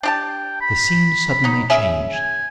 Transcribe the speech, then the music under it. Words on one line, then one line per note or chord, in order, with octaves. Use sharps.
The scene suddenly changed.
D4 G4 G5 A5
B5
F#3 D#4
C#4 G#4 E5
G#5